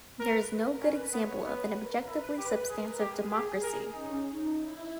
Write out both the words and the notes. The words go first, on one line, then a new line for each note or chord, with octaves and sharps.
There is no good example of an objectively substantive democracy.
A#4 B4
A#4
C#4 B4
B3 C#5
B3 B4
A#4
E4 B4
G4 B4
G#4 A#4
G4 G#4
G4
A#4
C#4 D#4
D#4
E4